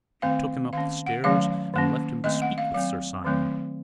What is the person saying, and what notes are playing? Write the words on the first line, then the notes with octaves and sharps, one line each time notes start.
She took him up the stairs, and left him to speak with Sir Simon.
D#3 A3 C4 F5
D#3 A#3 C#4 F5
F#5
D#3 F#3 A3 C#4 F5
D#3 A#3 C#4
D#3 A3 C4 D#5
F#5
F5
F#3 C4 F5
D#3 F#3 A3 C4